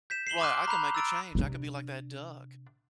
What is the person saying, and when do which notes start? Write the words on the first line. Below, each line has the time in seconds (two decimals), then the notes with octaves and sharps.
Right, I can make a change, I could be like that duck.
0.10 G6 B6 E7
0.27 C7 E7 F#7 G7
0.40 C6 D6 D#6 F6 F#6
0.68 A#5 B5 F#6 F7
0.95 E6 A6 D7
1.35 C3 D4